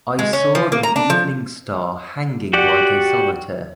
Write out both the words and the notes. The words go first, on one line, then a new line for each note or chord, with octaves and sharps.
I saw the evening star hanging like a solitaire.
G#3
C#4
F3
A#3
A#5
D4
F3
F#4 G4 D5 F#5